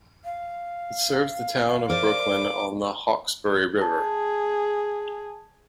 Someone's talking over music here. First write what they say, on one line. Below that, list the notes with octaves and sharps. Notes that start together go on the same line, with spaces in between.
It serves the town of Brooklyn on the Hawkesbury River.
F5
A#4 C5 D5 D6
G#4 A5